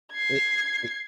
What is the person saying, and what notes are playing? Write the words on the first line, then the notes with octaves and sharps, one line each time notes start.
It it
G#6 C7